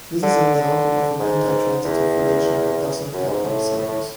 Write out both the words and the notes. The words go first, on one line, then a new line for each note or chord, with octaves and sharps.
This is an example of an antitransitive relation that does not have any cycles.
D3
D3
G#2
E2
F#2
G#2
A2
A2
A2